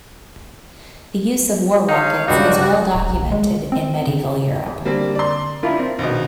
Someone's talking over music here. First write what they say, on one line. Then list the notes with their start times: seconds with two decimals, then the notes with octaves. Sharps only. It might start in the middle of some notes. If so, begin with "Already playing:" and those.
The use of war-rockets is well documented in Medieval Europe.
1.89 D#4 C#5 F5
2.28 C#2 G2 D#4 F#4 D5
2.95 D1
3.09 A#1
3.32 G#3
3.72 C4
4.07 C#3
4.67 E2
4.85 D3 G3 A#3 C4
5.15 D5 C6
5.63 D4 E4 F4 A#4
5.79 C4
5.99 A#1 B2 D#3